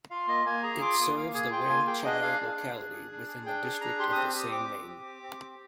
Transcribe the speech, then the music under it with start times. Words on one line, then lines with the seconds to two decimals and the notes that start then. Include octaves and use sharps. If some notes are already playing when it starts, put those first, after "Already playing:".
It serves the Wan Chai locality within the district of the same name.
0.10 F4 F5
0.28 A#3 D#5
0.46 A#3 G#5
0.63 G#4 A#5
0.81 F4 D6
0.99 A#3 D#6
1.16 A#3 F5
1.34 G#4 G#5
1.51 F4 G5
1.69 A#3 G#5
1.87 G#4 G5
2.04 D4 D#5
2.22 G#4 F5
2.41 D4
2.58 G#4
2.76 D4
2.92 G#4
3.11 D4
3.28 G#4
3.46 D4 G5
3.64 G#4
3.81 D4 A#5
3.99 G4 C6
4.12 C4 D#6
4.35 G4 D#6
4.51 C4 D6
4.69 G4
4.87 C4
5.06 G4
5.23 C4
5.41 G4